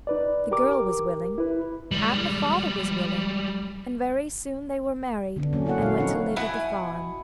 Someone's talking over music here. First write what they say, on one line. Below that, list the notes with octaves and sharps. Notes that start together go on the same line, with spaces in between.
The girl was willing and the father was willing, and very soon they were married and went to live at the farm.
D#4 B4 D5
G4 A#4 D6
E4 B4
G3 G#3
D3 B3 D4
F#3 A#3 C#4
E4 F#4 A4 C#5 F#5
A#2 F5
F3 C4 C#4 D#4 C#5 F#5
B2 E4 F#5 G#5